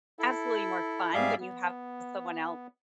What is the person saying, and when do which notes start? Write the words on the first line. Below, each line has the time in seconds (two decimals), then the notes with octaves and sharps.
absolutely more fun when you have someone else
0.19 E4 A4
1.14 G#2 G3 G#4 D5 E5 F5
1.40 B3